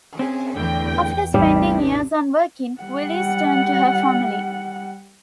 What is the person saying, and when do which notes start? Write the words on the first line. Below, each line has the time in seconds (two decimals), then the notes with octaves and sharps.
After spending years on working, Willis turned to her family.
0.19 C4 C#4 G#4
0.56 E2 A2 D3 G5
1.34 A1 E2 C3 G3 D4 D#4 B4
2.81 G3 F#5